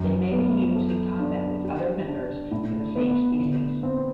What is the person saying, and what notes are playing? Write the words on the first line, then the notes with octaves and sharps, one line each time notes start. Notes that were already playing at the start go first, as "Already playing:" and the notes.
They may be used in combat with other members of the same species.
Already playing: F#2
B3
A4
D4
G4
D4
A2
B3
D3
C4